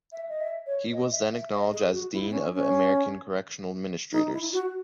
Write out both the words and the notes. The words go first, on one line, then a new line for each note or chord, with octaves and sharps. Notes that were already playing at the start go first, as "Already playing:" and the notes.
He was then acknowledged as Dean of American Correctional Administrators.
E5
D#5
E5
C#5
D#5
E5
E5
D#5
G#4
F#4
E4
B3
C#4
C#4
D#4
E4
F#4